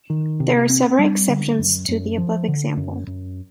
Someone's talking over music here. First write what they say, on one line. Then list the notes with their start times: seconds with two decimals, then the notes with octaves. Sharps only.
There are several exceptions to the above example.
0.10 D#3
0.40 C3
0.70 C4
0.99 G3
1.28 D3
1.59 F#2
1.88 F#2
2.18 F3
2.48 D3
2.77 F#2
3.07 F#2